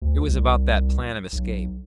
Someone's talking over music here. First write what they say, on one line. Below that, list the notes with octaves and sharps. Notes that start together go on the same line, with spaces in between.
It was about that plan of escape.
D2
C2
B1